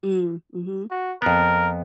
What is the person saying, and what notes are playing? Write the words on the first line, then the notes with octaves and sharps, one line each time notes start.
Mm, mhm.
F#4
F2 B3 A#4